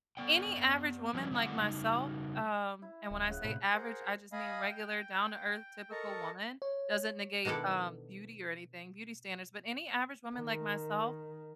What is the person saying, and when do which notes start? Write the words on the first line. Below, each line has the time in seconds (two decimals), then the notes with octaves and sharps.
any average woman like myself, um and when I say average, I just mean regular, down-to-earth, typical woman, doesn't negate, um, beauty or anything beauty standards, but any average woman like myself
0.17 B3 D5 G5
1.14 F3 G3 D4 F#4 B4 C#5
1.31 D3 G3 B3 C4 E4 F#5
1.59 C#3 G3 D#4
2.82 E4
3.11 D1
3.27 C#3 F#5
3.44 A2 C3 B4 C5 B5
3.74 G#4 A#4 C5 F#5
4.32 D#5 F5 G#5 B5 D#6
4.69 G5
5.91 A4 A#4 D#5 A5 A#5 C#6
6.62 C#5
7.45 B2 D#3 D4 E4 A4
10.35 D#3